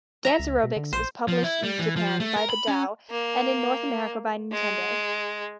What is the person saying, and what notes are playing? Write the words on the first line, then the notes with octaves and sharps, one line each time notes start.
Dance Aerobics was published in Japan by Bandai and in North America by Nintendo.
E5 A#5
C#2
B2
D3
A#1 C5
F3
E4
G3
E3
F3
A3
A#4
B5
C#4
A#3
G#3